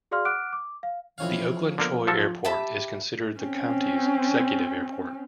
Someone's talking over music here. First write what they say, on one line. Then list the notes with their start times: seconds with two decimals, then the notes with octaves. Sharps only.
The Oakland-Troy Airport is considered the County's 'executive' airport.
0.11 F#4 G#4 D5 F5 C6 F6
0.25 F#5 D6 F6 F#6 D7
0.53 D6
0.83 F5
1.18 F2 E3 C#4 F5
1.78 D3 A#3 B3 A#4
2.07 F3 F#3 F4 A4
2.45 G4 E5 A5 B5
3.39 C4 C#4